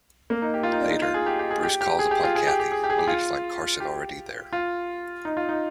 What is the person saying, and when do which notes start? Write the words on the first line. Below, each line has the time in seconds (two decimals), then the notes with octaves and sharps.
Later, Bruce calls upon Kathy, only to find Carson already there.
0.30 A#3
0.42 D#4
0.54 G4
0.63 F4
0.72 D#4
0.81 D4
0.90 D#4
1.02 F4
1.14 G#4
1.26 G4
1.39 G4
1.51 G#4
1.63 G4
1.81 G4
1.99 G#4
2.11 G4
2.24 F4
2.35 G#4
2.47 G4
2.60 G4
2.72 G#4
2.84 G4
2.90 G#4
2.99 G4
3.07 F4
3.80 G4
4.53 F4
5.25 D#4
5.37 F4
5.49 D#4